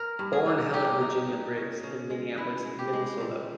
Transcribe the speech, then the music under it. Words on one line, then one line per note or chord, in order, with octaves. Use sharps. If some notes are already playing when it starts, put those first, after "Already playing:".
Born Helen Virginia Briggs in Minneapolis, Minnesota.
Already playing: A#4
G2
G#4
D#4
D#4 G4
D#4
D#4
C#3
C#3
G#3
G#3 E4
G#3
G4
G#3
A#2